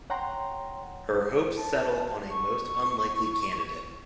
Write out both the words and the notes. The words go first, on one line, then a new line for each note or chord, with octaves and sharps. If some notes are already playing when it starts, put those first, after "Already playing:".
Her hopes settle on a most unlikely candidate.
C#5 F#5 G5 A#5 C6
A5
C#6